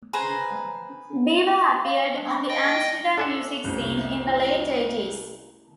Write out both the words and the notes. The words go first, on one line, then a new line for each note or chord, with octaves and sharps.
Beaver appeared on the Amsterdam music scene in the late eighties.
G#4 B4 C5 A#5
F5
D4
D5 D#5 G5
D4 A4 E5 F#5 G#5
C2 F2 A3 A#3 C#4
E4